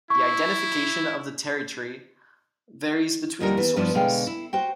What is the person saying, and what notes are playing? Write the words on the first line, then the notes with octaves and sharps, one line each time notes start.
The identification of the territory varies between the sources.
E4 C#6
D#2 D3 D#3 G3 D#4 A#4
E3 B3
G2 F3 B3 D4 E4
B2 D3 G#3 F5 G5
E4
F#4 C5 G5